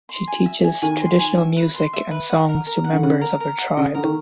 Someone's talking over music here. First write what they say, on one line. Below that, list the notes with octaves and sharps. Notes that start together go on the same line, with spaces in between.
She teaches traditional music and songs to members of her tribe.
C6
G#5
E5
G#5
D#3 G#5
C6
G#5
E5
B4
C6
E5
B4
F#5
A#4
A#4
F#5
D3
C#3 F#5
A#4
A#4
F#5
C#3 D#5
D3 A#4
D#3